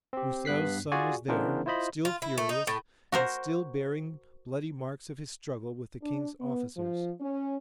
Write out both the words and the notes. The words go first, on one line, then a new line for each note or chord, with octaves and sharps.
Broussel's son was there, still furious, and still bearing bloody marks of his struggle with the king's officers.
C4 G4
G2 B3 F#6 B6 C7
F4 F#4 G#4 D5 G#5 C#6
C#3 E3 B3 D4 A#4 C5
E4 F4 C5 D#5 B5
F4
E4
A3
D#4
A2
F#4 A#4 C5
D4
B3
F3
C#4